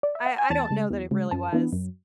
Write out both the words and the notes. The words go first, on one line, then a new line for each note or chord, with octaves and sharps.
I I don't know that it really was.
D5
E5
F#5
G#5
E2 A5
C#3 G#3
E2
C#3 G#3
F#2 A5
E3 B3 D4
F#2